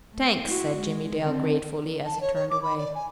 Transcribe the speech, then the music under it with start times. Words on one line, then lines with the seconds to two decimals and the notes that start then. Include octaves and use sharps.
"T'anks!" said Jimmie Dale gratefully, as he turned away.
0.13 A3
0.45 E4 F#4
0.78 G#3
1.21 D3 C4
2.05 A5
2.21 C#5
2.35 C#5
2.50 D6
2.63 B5
2.78 D5
2.95 G#5